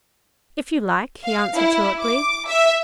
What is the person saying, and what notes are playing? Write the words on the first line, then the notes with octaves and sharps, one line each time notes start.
"If you like," he answered shortly.
F5
E4
D6
E5